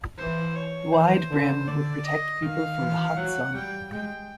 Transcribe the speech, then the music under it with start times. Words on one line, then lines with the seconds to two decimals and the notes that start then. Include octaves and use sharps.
The wide brim would protect people from the hot sun.
0.18 E3 C5
0.55 C#5
0.93 E3 C5
1.30 D3
1.68 D3 D5
2.05 D#5
2.42 D#3 F5
2.79 E3
3.16 F#3 F#5
3.54 G3 G5
3.92 G#3 G5